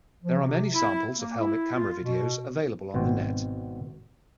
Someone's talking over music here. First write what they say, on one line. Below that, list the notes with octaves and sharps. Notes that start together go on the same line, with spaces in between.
There are many samples of helmet camera videos available on the net.
F3
C3
E4
A#3
E4
F4
B2
G#1 B2 C4 F#4 C5